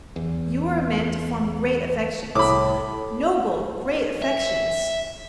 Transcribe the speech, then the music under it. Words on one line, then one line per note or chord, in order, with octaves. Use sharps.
You are a man to form great affections,--noble, great affections.
E2
C2 A2 B5 D6
E5